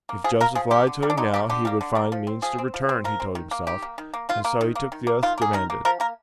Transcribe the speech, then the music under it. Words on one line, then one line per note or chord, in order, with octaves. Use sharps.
If Joseph lied to him now, he would find means to return, he told himself, and so he took the oath demanded.
A#3
F3 G#4
A#3 A#4
F3 G#4
A#3 G4
D3
G3 A#3
D4
D3 D#4
G3 A#3 G4
D3 G4
G3 A#3
D3
G3 A#3
F3
C4
F3 G#4
C4
F3
C4
F3 A#4
C4
D#3
A#3
D#3 G4
A#3
D#3
A#3
D#3 F4
A#3
D#3
A#3
D#3
A#3
D#3 F4
A#3 G#4
D#3 A#4
A#3
F3 A#4
A#3 A#4